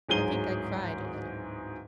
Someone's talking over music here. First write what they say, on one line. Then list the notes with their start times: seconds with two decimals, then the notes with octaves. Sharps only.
I think I cried a little.
0.09 D1 G#2 F#3 G#4 D#7 G7